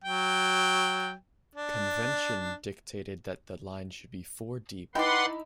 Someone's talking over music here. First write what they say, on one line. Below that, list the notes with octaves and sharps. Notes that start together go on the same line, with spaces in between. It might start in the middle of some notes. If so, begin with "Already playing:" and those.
Convention dictated that the line should be four deep.
F#3 G5
D4
D#4 E4 B4 D5 F#5 G5 B5 C6